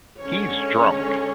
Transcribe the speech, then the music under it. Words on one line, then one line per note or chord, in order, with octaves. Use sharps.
He’s drunk.
D3 G#3 C#4 C#5